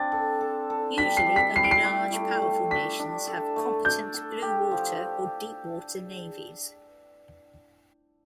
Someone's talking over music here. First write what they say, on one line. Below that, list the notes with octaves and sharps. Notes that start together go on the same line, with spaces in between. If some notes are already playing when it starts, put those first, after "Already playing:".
Usually, only large, powerful nations have competent blue water or deep water navies.
Already playing: C4 D4 A6
A4
A4
A4
G3 B6
C7
G3
B6
E4 C7
D7
C7
G3
A3
A3
D4 B6
D4
A4
A3
D4 G6
A4
G4
F3